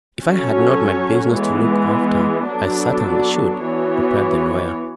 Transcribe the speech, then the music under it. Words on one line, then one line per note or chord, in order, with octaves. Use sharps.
"If I had not my business to look after I certainly should," replied the lawyer.
F#3 C#4 F#4 A4 C#5
E3 G#3 B3
F#3 B3 D4 F#4 A4
E3 B3 F#4 C#5